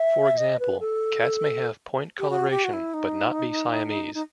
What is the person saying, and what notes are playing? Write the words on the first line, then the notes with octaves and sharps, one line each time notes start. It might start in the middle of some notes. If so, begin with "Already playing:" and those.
For example, cats may have point coloration, but not be Siamese.
Already playing: E5
D#5
B4
A4
G4
F#4
G4
F#4
E4
D#4
D#4